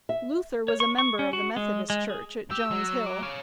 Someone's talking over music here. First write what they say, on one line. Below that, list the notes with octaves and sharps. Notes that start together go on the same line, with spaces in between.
Luther was a member of the Methodist church at Jones Hill.
E5
C#5
C#6
C#6
C#4
F#4
G#3
G#3
G#4
G4 E6
F#3
D6
C#5 F5